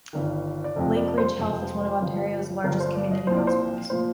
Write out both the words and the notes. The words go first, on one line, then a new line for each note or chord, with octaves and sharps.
Lakeridge Health is one of Ontario's largest community hospitals.
G1 G2 D#3
D5
F1 F2 C3 F3 D#5
D5
C5
F1 F2 C3 F3
G1 G2 F3
G1 G2 F3 A#4
C5
D5
D#5
C2 A#2 F3 C5
D5
C5
A#2 F3 C5